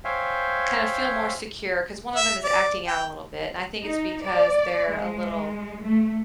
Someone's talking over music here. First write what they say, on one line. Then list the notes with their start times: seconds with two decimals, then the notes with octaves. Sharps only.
kinda feel more secure, 'cause one of 'em is acting out a little bit, and I think it's because they're a little
0.04 C5 C#5 E5 F5 G5 G#5
2.16 E5
2.44 D5
2.87 G5
3.82 D#4
4.23 D5
4.89 G#3
5.83 A3